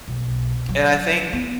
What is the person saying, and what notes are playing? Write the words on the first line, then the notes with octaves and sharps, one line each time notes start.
And I think
B1
F#3
B3